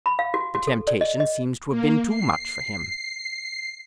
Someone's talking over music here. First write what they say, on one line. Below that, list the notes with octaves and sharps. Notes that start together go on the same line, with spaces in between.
The temptation seems to have been too much for him.
B5
F5
F#4
F#4
A4
D5
D#5
D#5
A#3
C7